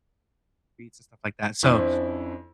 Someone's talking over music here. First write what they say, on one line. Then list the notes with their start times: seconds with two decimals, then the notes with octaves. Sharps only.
streets, and stuff like that. So,
1.63 F2 C#4 D4 E4 C5 C#5